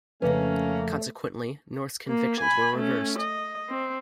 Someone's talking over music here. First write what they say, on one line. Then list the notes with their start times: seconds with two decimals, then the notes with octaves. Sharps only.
Consequently, North's convictions were reversed.
0.22 F2 C#3 A3 A#3 C#4 B4
2.07 A#3
2.40 G#5 B5
2.77 A3 C#4
3.19 D#5
3.69 C4